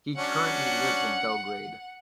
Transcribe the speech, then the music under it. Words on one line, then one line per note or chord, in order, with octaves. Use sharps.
He currently lives in Belgrade.
F#3 C#4 D4 F#5